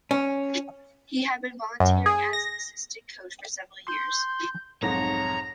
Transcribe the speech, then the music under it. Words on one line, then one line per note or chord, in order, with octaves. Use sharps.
He had been volunteering as an assistant coach for several years.
C#4
F#2
G#4
A#6
C6 G6
B1 F2 G#2 C#5 A#5 A#6